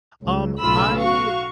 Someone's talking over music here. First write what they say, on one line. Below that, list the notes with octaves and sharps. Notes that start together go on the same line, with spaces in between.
Um, I
C#2
B1 A2 C#3 F4 B5 E6
F#4 F5 C#6